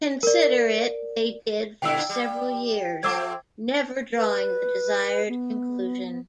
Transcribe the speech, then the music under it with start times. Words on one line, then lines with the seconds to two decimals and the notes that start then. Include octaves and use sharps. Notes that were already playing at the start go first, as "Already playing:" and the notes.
Consider it they did for several years, never drawing the desired conclusion.
0.23 A#4 D5
1.82 A#2 D3 E4 G5 E6
2.09 G3
3.03 F3 A3 C4 D6 E6 G#6
4.16 B4
5.28 B3